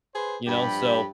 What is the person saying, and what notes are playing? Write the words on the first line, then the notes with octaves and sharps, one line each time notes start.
you know. So,
G#4 B4 C5
G2 F3 G4 B5